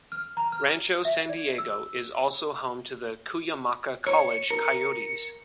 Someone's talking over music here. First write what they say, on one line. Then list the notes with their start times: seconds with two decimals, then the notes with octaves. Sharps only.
Rancho San Diego is also home to the Cuyamaca College Coyotes.
0.12 F6
0.37 A#5
0.52 F6
1.05 E5
1.29 D5
1.58 E6
4.07 C#5 C#7
4.51 A#4